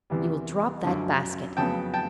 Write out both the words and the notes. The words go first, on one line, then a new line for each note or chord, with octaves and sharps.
'You will drop that basket!
E2 C3 E3 G3
F#2 D3 F3
F2 C#3 F#3 B3 G5 A5
G5 A5